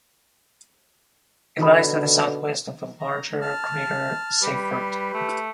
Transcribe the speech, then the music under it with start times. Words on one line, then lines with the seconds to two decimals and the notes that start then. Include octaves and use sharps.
It lies to the southwest of the larger crater Seyfert.
1.59 B2 D3 D#4 B5
3.00 A#5
3.41 A5 F6
4.42 G3 G4 B4
5.14 A3